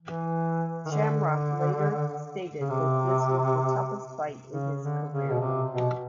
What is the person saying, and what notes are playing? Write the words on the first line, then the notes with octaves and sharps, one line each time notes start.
Shamrock later stated that this was the toughest fight in his career.
E3
D#3
D3
C#3
C3
C#3
D3
C#3
B2
C3
B2